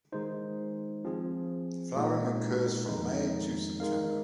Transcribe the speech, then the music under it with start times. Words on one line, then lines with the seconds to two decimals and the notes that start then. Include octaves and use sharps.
Flowering occurs from May to September.
0.12 D#3 G#3 D#4 C5
1.04 F3 C4 G#4
1.96 A#2 G#3 D#4
2.89 F2 D#3 G#3 D#4
3.80 D#3 G#3 D#4 A#4 F5